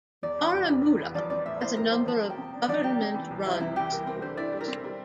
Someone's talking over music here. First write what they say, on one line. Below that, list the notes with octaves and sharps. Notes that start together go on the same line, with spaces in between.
Baramulla has a number of government-run schools.
E2 D5
E3
F1
G3
E2
E3
F3 D5
C4 D5
A2 E5
E4 C5
F3 A#4
C4 C5
F3 A5
A#3
G5
C3
D4
F3 D5
A#3 G4
C3
E3
C2
G3 E4
C3 E4
E3 G4
G3 A#4
C4 A#4
D3 C5
E4 D5
G3
A#4
C4
G3